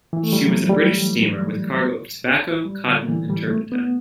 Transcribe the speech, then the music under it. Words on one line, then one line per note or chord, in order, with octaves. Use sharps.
She was a British steamer with cargo of tobacco, cotton, and turpentine.
E3
A3
G3
F#3
G3
G3
D3
E3
G3
A3
B3